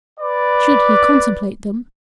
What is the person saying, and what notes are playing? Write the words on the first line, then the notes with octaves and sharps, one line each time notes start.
Should he contemplate them?
B4 D5